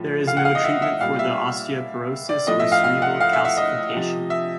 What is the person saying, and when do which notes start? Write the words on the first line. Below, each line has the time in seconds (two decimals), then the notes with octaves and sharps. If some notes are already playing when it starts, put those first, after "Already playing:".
There is no treatment for the osteopetrosis or cerebral calcification.
Already playing: A2 F3
0.27 F5
0.37 F#5
0.45 F5
0.55 D#5
0.64 E5
0.82 E5
1.01 A#2 G3 F5
1.19 E5
2.29 D5
2.47 A2 F3 D#5
2.60 E5
2.72 F5
2.84 F5
3.02 F#5
3.21 F5
3.33 E5
3.45 E5
3.57 D#5
3.93 C3 F3
4.30 E5